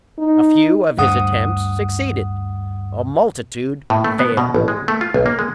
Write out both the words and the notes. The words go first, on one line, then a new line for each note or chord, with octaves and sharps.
A few of his attempts succeeded--a multitude failed.
D#4
D2 G2 F#5 D#6
A2
A3
B3
B2
A1
G#3
A3
F4
B1
A#3
G#3